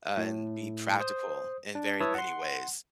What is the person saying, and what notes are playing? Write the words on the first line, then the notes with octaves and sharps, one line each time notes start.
uh, and be practical in very many ways.
A2
C5 D#6
D4
E4 B4 C#5 A5 D#6 E6
F#5 C6